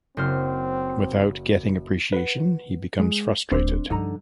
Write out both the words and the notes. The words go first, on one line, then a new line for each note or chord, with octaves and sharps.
Without getting appreciation he becomes frustrated.
F#1 C4 C5 F6
B4 F#5
G#3
D#1 C4 D4 C5
G2 D3 F3 D#4 A#5